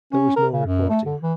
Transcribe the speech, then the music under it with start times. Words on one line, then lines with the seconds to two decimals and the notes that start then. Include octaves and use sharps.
There was no reporting.
0.13 C#4
0.36 A#4
0.53 C#3
0.66 F#2
0.90 A3
1.06 D3
1.22 E3